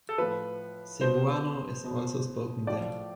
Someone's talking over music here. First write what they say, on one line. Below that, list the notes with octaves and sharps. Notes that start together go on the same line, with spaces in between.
Cebuano is also spoken there.
A4
A2 F3 B4
B2 C5
B2
A2 F3 D5